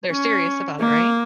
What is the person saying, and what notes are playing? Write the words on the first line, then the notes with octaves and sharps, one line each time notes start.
They're serious about it, right?
C#4
A#3